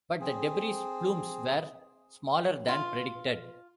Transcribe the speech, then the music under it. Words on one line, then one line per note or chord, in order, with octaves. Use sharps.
But the debris plumes were smaller than predicted.
C4 G#4
F4